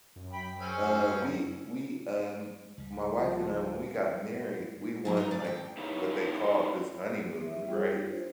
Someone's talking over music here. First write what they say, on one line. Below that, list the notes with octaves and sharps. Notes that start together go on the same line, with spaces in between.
uh, we we, um, my wife and I, when we got married, we won, like, what they called this honeymoon, right?
F#2
G5 B5
C4 C#4 G#4
C#2 G3
F3
G#2 F#3 E4
D#4 A#5
D2 G#2 D5
D#2 G5
D#4 E4 G4 B4 C#5 F5
E5
G3 F4 G#4
D4 F4 G4
C5